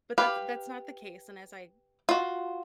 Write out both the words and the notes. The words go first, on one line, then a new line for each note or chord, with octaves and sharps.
Bbut that that's not the case, and as I
G4 B4 F5
F4 F#4